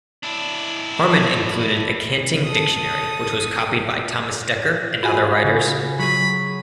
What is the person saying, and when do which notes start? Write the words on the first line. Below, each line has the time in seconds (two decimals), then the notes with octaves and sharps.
Harman included a canting dictionary which was copied by Thomas Dekker and other writers.
0.23 D4 E4
2.43 A4 D#6
5.03 F4 F#4 G#4 F5 G#5 B5
5.44 C#3
5.99 F#3 G#4 B5 C#6